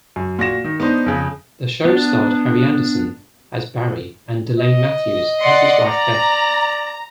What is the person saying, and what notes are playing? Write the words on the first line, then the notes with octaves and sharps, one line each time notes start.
The show starred Harry Anderson as Barry and DeLane Matthews as his wife Beth.
F#2
A#2 F#4 A#6 E7
D#3
B3 D4 D#4 C5
F2 C#3
B3 D4
D#5
D5 F#5 C6
D5 A#5